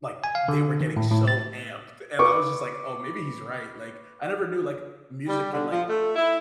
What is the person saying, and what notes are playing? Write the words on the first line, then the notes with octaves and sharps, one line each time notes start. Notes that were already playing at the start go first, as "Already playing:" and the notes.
like they were getting so amped and I was just like, "Oh maybe he's right," like I never knew like music could like
G#5
F5
D3
D#3
A2
A2
A6
B4 C#6 D6
G3
D3
F3
A3
E4